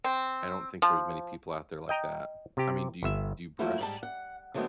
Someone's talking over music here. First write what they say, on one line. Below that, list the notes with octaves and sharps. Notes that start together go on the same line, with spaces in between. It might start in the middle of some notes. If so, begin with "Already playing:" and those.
I don't think there's many people out there like that. I mean, do you do you brush,
C4
F3
D#5 G5 A#5
C3 G4
G1 E5
F3 A3 A#3 E4 F#4
G#2 G3 A5
F#5
D3 F#3 G#3 A3 B3 C4